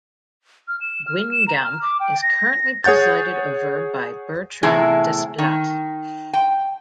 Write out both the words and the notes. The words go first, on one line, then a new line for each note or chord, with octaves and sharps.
Guingamp is currently presided over by Bertrand Desplat.
F6
E7
F6
E7
A#5
F6
D6
G5
A#6
G#4 C#5 F#5 G6 A6
E2 A2 C3 E4 G#4
D#3
G5